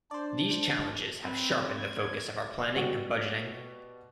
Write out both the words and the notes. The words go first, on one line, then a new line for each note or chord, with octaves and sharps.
These challenges have sharpened the focus of our planning and budgeting.
D4 C5 D5
C4 B4
G#6
B2 G3 F#4